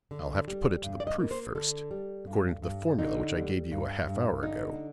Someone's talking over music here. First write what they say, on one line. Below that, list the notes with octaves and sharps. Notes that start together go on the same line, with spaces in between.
I'll have to put it to the proof first, according to the formula which I gave you a half hour ago.
D3
G3
G2
D5
D#5
A#3
C5
D3 A4
G3
G2
G2
D3 D#4
G3
G2
G2
D3 D#4